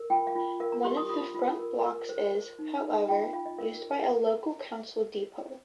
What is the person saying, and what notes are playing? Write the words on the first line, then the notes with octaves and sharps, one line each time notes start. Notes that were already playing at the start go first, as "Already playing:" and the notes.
One of the front blocks is, however, used by a local council depot.
Already playing: A#4
F4 G5
F5
F4
A#4 F5
A#5
G4 C6
D#6
F4 D#6
F4
A#4
A#4
C5
C5
D#4
D#4
F4 G5
F4 F5
D#5
A#4 F5